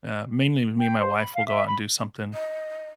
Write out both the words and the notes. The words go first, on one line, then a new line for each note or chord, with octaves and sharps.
Uh, mainly me and my wife will go out and do something.
G5
C5
B5
F5
E5
B5
D#5